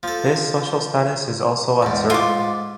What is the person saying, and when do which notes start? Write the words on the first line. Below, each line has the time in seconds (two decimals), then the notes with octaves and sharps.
His social status is also uncertain.
0.03 F3 A4
1.83 E2 G#2
2.10 G#2 F4 D6